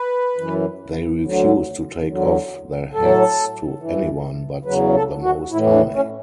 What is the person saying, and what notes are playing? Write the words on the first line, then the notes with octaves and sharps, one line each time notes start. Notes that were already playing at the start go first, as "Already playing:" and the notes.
They refused to take off their hats to anyone but the Most High.
Already playing: B4
F#2 E3
D2 D3 F#3
E2 D3 F#3
A2 F#3 A4
G2 E3
E2 C#3 F#3 B4
A4
F#4
A2 E3 E4
D4
C#4